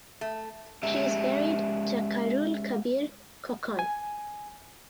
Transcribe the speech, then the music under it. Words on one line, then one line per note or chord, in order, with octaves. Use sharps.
She is married to Khairul Kabir Khokon.
A3
G#3 C#4 G4 E5
G#5